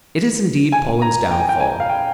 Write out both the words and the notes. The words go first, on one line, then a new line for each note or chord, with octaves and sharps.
It is indeed Poland's downfall.
G#5
A#5
G5
G#5
G5
G#5
G5
F5
G5